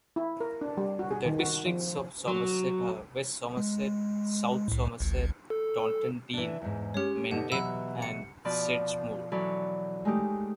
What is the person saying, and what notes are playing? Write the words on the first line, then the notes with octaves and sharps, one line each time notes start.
The districts of Somerset are West Somerset, South Somerset, Taunton Deane, Mendip and Sedgemoor.
E4
A#4
D4
G3
F#4
G#4
D#3
F#4
F3
F#3
G#3
C2 A2
G#1 C#2
A4
E3 D4
E2 G#2
G#3 C#4 G4 C#5
B2 D3 D#4 F#5
B2 E3 F#3 F#5 B5 E6
C#7
B2 F3 F4 B4 D5 A5
E3 F#3 A4 B4 C#5 D5
G#3 A3 D#4 G4